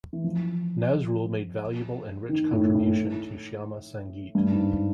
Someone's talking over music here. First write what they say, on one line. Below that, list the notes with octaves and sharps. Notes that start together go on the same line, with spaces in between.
Nazrul made valuable and rich contribution to Shyama Sangeet.
E3
F3
D#3
A2
A2
G2
G#2